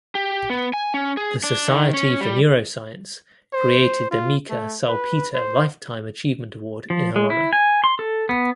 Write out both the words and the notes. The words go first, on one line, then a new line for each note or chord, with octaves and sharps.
The Society for Neuroscience created the Mika Salpeter Lifetime Achievement Award in her honour.
G4
B3
G#5
C#4
G#4
D4
D#3
C#4
G3
C5
F4
A3
B4
C5
F3
G#3
E4
G#5
C6
A4
B3